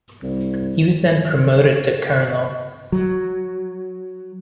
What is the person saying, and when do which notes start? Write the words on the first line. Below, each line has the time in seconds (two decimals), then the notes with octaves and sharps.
He was then promoted to colonel.
0.23 C2
2.92 F#3